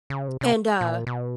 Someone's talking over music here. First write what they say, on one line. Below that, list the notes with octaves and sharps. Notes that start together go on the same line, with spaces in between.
And, uh,
C#3
C3
C3
A#2
B2